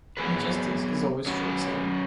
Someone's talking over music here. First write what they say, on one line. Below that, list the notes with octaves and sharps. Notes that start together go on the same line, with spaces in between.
Injustice is always short-sighted.
F#3 B3 G#4 B4
F#3 C#4 F#4 B4